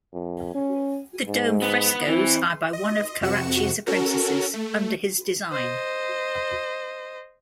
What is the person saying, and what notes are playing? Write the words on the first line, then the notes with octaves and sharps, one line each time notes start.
The dome frescoes are by one of Carracci's apprentices, under his design.
F2
C#4
G#2
B3
E3 C4
D#5
F2 C3 F#4 C#7 E7
C#4 F#4 A4 A#4
A3
C5 D#5